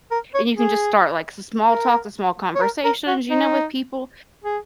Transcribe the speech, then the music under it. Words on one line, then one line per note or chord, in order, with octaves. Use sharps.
and you can just start like some small talk, small conversations, you know, with people
A#4
C#5
G#4
A#4
C#5
A#4
A#4
F#4
D#4
G#4